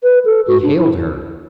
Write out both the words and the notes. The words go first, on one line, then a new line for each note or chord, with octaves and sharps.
He hailed her.
B4
A4
F#4
D4
E4